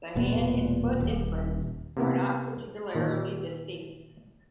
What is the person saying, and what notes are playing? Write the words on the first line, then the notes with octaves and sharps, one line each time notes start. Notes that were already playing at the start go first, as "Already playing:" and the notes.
The hand and foot imprints are not particularly distinct.
E1 A#2 B3
D#1
C3 A#3 B3 E4
A#2 D#3